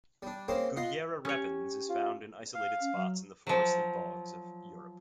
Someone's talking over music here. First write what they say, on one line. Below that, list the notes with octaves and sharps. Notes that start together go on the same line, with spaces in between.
"Goodyera repens" is found in isolated spots in the forests and bogs of Europe.
G3 D4
A#3 C4 C#4 G#4 A#4 C5
F4 D#5 F#5 C6
C#4 G4 C#5
F4
F5
C#4
F#3
F3 F#3